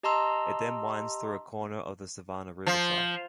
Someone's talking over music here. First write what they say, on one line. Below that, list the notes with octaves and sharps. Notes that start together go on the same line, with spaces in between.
It then winds through a corner of the Savannah River Site.
G4 D#5 A5 A#5 C6 E6
F3